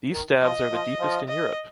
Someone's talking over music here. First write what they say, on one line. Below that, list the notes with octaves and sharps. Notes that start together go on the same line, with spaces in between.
These staves are the deepest in Europe!
D#3
F3 D#5
F3
F3
D#5